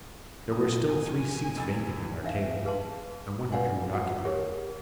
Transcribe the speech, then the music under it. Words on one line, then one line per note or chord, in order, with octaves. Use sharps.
There were still three seats vacant at our table; I wondered who would occupy them.
F#2 D#6
G#5
F1 E6 A6
D4 D#4 E5 F5
G#4 B4 F5 A5 C6
B4 D5 F5 F#5 G#5 C6
E4 F#4 F#5
G4 G#4 A#4 C#5